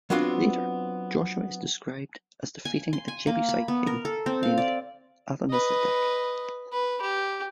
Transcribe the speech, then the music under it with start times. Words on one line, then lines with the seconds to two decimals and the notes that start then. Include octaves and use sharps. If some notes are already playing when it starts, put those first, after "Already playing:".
Later, Joshua is described as defeating a Jebusite king named "Adonizedek".
0.10 F#3 B3 C4 D4 F4
2.65 G#5
2.93 C6
3.08 G#5
3.27 A#3
3.49 B5
3.68 B3
3.87 A#4
4.05 A4
4.26 C4
4.43 F5
4.58 D5
5.50 B4 D#5
6.72 B4
7.01 G4